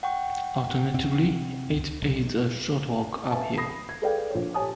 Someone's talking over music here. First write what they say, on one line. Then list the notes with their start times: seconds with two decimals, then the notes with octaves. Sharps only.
Alternatively, it is a short walk uphill.
0.03 F#5 G5 C#6
0.94 C3 C4
2.02 B1
3.31 B4 E5 F5 G#5 A5
3.58 B5 D#6 A#6 C7
3.89 G#6
4.02 G#4 A4 B4 D5 F5 G5
4.30 A#1 C#5
4.54 G4 C#5 G#5 A5 D#6